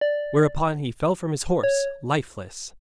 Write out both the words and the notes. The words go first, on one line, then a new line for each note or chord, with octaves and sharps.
Whereupon he fell from his horse lifeless.
D5
C#5